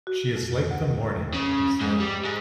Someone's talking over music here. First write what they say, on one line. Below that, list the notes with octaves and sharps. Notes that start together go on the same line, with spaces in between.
"She is like the morning," he said.
F#4
F2
D2
C#3
G#2
G3
G#2